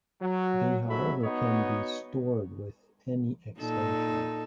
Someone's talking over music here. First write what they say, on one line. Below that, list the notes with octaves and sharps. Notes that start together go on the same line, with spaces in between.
They however can be stored with any extension.
F#3
G#2 F#3 A4 E5 B5
B3 D#4 F#4 C#5 D#5
A#2 D#4 A4